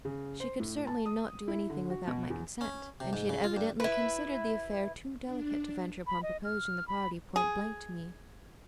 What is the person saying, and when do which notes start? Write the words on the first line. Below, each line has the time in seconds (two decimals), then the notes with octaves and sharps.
She could certainly not do anything without my consent, and she had evidently considered the affair too delicate to venture upon proposing the party point-blank to me.
0.05 C#3
0.40 C5
0.60 A2
0.87 A5
1.06 D#6
1.48 E4
1.70 D3
1.90 F#4
2.07 B2
2.30 E2
2.61 C#4
3.00 C3
3.13 G#2
3.30 C#3
3.44 F4
3.57 G2
3.80 E4 B4
5.25 D4
6.07 B5
6.23 D#5
6.44 F6
6.88 B5
7.36 G#4